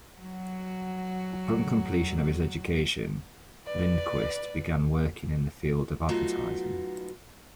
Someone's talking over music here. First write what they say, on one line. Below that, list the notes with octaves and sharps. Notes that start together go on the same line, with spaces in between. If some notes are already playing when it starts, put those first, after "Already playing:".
Upon completion of his education, Lindquist began working in the field of advertising.
F#3 F#4
B4 D5
F#3 A3 B3 D#4 F4 F#4